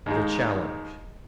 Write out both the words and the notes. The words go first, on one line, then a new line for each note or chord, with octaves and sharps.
The Challenge.
D#2 G#2 G#3